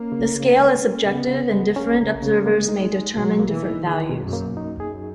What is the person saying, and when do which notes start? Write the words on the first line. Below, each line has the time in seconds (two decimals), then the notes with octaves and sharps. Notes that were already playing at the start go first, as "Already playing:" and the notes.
The scale is subjective, and different observers may determine different values.
Already playing: A#3 C#4
0.12 C#3
0.35 C#3
0.59 G#3
0.82 C#4
1.05 C#3 B3
1.28 C#3
1.52 G#3
1.76 A#3 C#4
1.99 C#3
2.22 C#3
2.45 G#3 A#3
2.69 D#4
2.92 G#4
3.16 B2 F#3
3.40 A#3
3.51 E3
3.63 D#4
3.86 D#3 G#4
4.09 B2
4.22 F#2
4.33 A#3
4.56 F#2 D#4
4.80 G#4